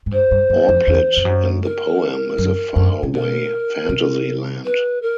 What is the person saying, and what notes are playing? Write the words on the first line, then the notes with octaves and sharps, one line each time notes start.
Orplid in the poem is a faraway fantasy land.
G#2
G2 C5
G2
F#2
F2
E2
F2
F#2
A#4
F#2
F#2
C3
B2 A#4
C3
B4
A#4